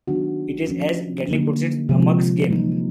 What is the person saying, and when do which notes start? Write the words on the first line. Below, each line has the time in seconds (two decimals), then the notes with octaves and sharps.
It is, as Gadling puts it, a mug's game.
0.08 D#3 F#3 B3 D4 F#4
0.68 F3 A3 C#4
1.29 D3 F#3 A#3 D#4 G4
1.89 C3 F3 G#3
2.50 E3 G3 A#3 D#4